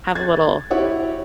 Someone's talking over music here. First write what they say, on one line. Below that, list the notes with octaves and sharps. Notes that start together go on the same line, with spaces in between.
have a little
G#6 A6
E4 F#4 G4 C#5 F#5